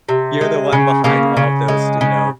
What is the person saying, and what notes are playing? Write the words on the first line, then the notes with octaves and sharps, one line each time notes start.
You're the one behind all of those d you know,
C3
G#3
C#3
C#3 A#3
C#3
G#3
C#3